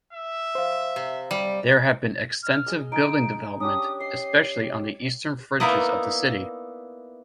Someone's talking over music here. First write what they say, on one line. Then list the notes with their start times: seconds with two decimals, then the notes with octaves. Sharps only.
There has been extensive building development, especially on the eastern fringes of the city.
0.13 E5
0.55 C5 F5
0.96 C3
1.31 G3
2.43 F6
2.66 G#4 D#5
2.92 D#4 G#4 D7
3.60 C#4 D4 G4 D#6
4.00 D#5 C7
5.60 A#3 B3 D#4 E4 D5 D#5